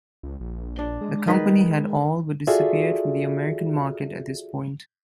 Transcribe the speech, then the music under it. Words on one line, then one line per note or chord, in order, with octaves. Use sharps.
The company had all but disappeared from the American market at this point.
C#2
A#1
D4
G#3
D#3 B4
F4 F#4 G#4 A4 D5 E5